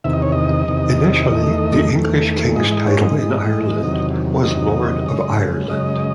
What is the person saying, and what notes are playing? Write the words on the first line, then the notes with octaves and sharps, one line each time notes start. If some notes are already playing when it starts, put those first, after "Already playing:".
Initially, the English king's title in Ireland was "Lord of Ireland".
E2 C3 D#3 E5
D#5
C#5
D#5
E2 C3 D#3
E2 D#3 A3
E2 D#3 A3
G#2 E3 G#3 D#5
D#5
C#5
D#5
G#2 E3 G#3 D#5
E2 C3 D#3 F#3
E2 C3 D#3 F#3 D#5
F#2 C#3 G#3
F#2 C#3 G#3 D#5